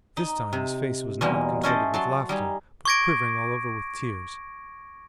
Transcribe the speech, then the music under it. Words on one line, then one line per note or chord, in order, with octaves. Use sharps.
This time his face was not contorted with laughter, but quivering all over with tears.
D#4
C3
E2 B2 G3 G#3 A#3 D#4
C#4 E4 A4 C5 D5 D#5
F#3 A5 C6
G3 D#4 G#4
C#6 D6 G#6 A#6 D7